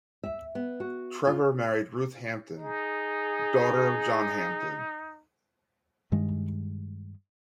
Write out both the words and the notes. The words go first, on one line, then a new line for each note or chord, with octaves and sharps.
Trevor married Ruth Hampden, daughter of John Hampden.
E5
B3
F#4
F4
D#4 G#4
G2 D#3 G#3